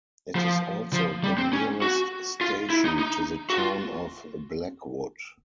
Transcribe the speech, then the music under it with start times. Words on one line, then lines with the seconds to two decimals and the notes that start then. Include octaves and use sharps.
It is also the nearest station to the town of Blackwood.
0.35 F3
0.93 F3
1.24 G3
1.38 C4
1.53 C#4
1.82 F#4
2.41 F4
2.70 E4
2.85 D#4
2.99 D#4
3.50 F#4
3.58 F4